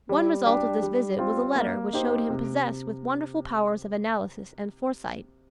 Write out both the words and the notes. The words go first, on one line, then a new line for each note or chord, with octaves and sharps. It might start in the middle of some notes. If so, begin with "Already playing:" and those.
One result of this visit was a letter which showed him possessed with wonderful powers of analysis and foresight.
G3
D4 G4
G3
C4 F4
A#3
D#4 G4 C5
C3